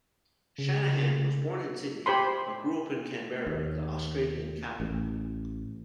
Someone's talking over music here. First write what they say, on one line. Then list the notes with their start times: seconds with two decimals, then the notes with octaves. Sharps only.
Shanahan was born in Sydney, but grew up in Canberra, the Australian Capital.
0.58 C#3
2.06 G4 C5 B5 C6
3.47 D#2
4.80 A1